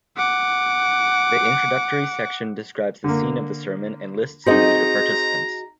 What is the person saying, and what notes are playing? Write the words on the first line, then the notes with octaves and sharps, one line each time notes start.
The introductory section describes the scene of the sermon and lists the major participants.
F#5 D6
D3 A#3
C4 D#4 F#4 G#4 D#5 A#5